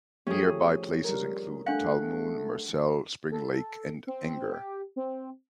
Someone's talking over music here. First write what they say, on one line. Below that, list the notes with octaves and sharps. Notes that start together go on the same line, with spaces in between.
Nearby places include Talmoon, Marcell, Spring Lake, and Inger.
F3 A3 C#4 G4 G#4
G3 A#4
A3 D4 F5 F#5
A4
C4
G4
C4